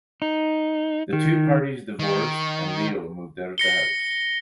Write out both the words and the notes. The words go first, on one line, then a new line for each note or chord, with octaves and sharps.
The two parties divorced and Leo moved out of the house.
D#4
D#3
D#3
A#6 C#7 G7